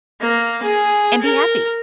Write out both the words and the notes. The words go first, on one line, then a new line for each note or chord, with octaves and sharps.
And be happy.
A#3
G#4
A#4